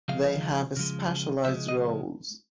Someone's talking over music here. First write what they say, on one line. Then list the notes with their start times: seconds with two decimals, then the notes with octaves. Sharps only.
They have specialized roles.
0.08 C#3 F3 G#3 F5
0.76 C#3 F3 G#3
1.45 C#3 F3 G#3 E5
1.68 D#5